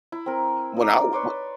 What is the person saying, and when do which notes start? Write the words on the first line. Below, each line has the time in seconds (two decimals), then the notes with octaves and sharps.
when I w w
0.12 E4
0.26 C4 A#4
0.77 D#4 D5
1.13 B4 C#5 D5 C6